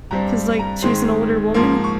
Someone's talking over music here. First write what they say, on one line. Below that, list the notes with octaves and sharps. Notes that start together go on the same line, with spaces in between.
'cause, like, she's an older woman
G2 G3 C4 A#5
A#5
G#2 D#3 G#3 C4 C6
G#2 F3 A#3 C6
C#6